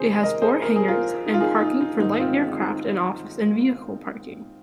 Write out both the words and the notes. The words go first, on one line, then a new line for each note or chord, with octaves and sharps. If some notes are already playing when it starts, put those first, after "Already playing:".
It has four hangars and parking for light aircraft, an office and vehicle parking.
Already playing: F2 C3 D#3 G#4 C5
A#4 D#5
G#4 C5
A#4
G#4
F4 A#4
D#4
F4
D#4 G#4
D#4
D#4
G#2 D#3 D#4
C4 F4
D#4